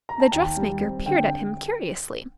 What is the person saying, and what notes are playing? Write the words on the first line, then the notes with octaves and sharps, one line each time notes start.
The dressmaker peered at him curiously.
A#5
A5
D#2 G5
G3
C4
D3 G5